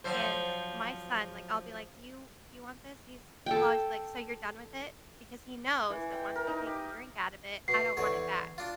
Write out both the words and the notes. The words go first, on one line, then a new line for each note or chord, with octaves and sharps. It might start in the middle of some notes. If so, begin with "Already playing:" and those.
And, my son, like, I'll be like, "Do you do you want this? He's he'll always be like, "So you're done with it? Because he knows that once he takes the drink out of it, I don't want it back.
F3 F#3 C5
A4 G5
E3
G5
A#4
D#4
G4
B2 C7
E2 D3 C#5
D4 F4